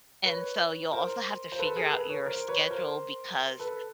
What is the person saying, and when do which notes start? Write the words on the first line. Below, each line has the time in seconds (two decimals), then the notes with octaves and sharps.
and, so, you'll also have to figure out your schedule because
0.25 B4 C#5
0.93 A#4 C5
1.52 C5
1.59 A4 B4
1.76 G#4 A#4
1.93 A4 B4
2.09 B4 C#5
2.26 A#4 C5
2.48 B4 C#5
2.70 A#4 C5
3.59 A4 B4